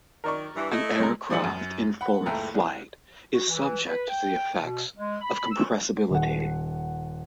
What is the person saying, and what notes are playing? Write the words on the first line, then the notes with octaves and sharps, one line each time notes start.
An aircraft in forward flight is subject to the effects of compressibility.
D#3 A#4 D5 C#6
G2 E3
A3 E4 D#5
C2 G#3 A#5
F3 G#3 C5 D5 C#7 F#7
F#2
F#5 B5
F#1 C#2 A3 A4 G5 A#5
C2
F#4
E3
B4
G5
B2
G#3
B5
E6
D#1 F#5